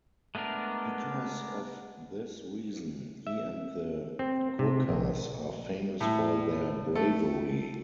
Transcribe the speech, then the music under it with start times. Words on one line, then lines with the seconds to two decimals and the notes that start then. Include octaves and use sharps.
Because of this reason, he and The Gurrkhas are famous for their bravery.
0.35 G#3 A3 B3 D4 A#4
3.27 E5
4.19 C4
4.59 C3
4.89 A#1
6.01 A2
6.95 A3